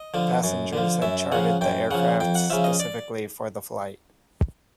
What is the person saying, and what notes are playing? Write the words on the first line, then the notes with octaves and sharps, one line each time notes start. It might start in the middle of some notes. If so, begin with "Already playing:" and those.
The passengers had chartered the aircraft specifically for the flight.
Already playing: D#5
D3 F3
F#2
D3 F3
F#2 E5
C#3 F3 F#5
F#2 G5
C#3 F3 F#5
F2 G5
F#5
C#3 F3 E5
D#5
D5